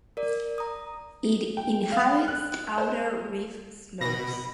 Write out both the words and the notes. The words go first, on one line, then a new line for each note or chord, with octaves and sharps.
It inhabits outer reef slopes.
A#4 D5
A#5 D#6
G5
F5
F#6
C5
B2 B5 A#6